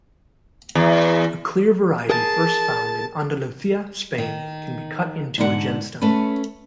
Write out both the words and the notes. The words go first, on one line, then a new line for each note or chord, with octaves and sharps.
A clear variety first found in Andalusia, Spain can be cut into a gemstone.
E2
G#4 A#4 A5
D#3
G#2 D3 D4 A#4 F#5
A3 C#4 A4 B4